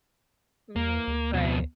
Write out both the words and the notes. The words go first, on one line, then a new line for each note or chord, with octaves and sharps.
Mhm, right.
E2 A#3
D2
F2 B2